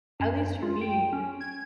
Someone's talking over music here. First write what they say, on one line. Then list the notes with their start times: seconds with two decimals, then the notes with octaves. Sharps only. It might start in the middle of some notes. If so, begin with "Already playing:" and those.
at least for me,
0.20 F#2
0.63 F4
0.81 G5
1.13 C#4
1.41 G#6